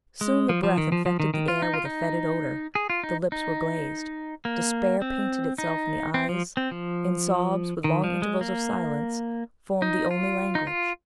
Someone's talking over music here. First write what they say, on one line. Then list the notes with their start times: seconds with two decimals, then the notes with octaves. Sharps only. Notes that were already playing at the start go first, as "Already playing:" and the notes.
Soon the breath infected the air with a fetid odour, the lips were glazed, despair painted itself in the eyes, and sobs, with long intervals of silence, formed the only language.
0.21 G#3
0.49 F3
0.63 F3
0.77 D#3
0.92 F3
1.06 F3
1.20 D#3
1.34 D#3
1.48 F4
1.62 D#4
1.74 F4
1.85 D#4
2.75 G#4
2.90 F4
3.04 D#4
3.32 D#4
4.45 A#3
5.02 C4
5.58 D#4
6.14 C4
6.29 F3
6.57 C4
6.71 F3
7.84 D#3
8.04 F3
8.22 G#3
8.41 A#3
9.82 D#4
10.11 F4
10.55 D#4
10.67 F4